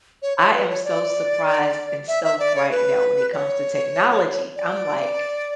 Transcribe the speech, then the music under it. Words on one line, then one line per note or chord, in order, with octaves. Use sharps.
I am so surprised and stoked right now when it comes to technology. I'm like,
C#5
C#5
B4
C#5
D5
E5
E5
D5
C#5
B4
D5
C#5
D5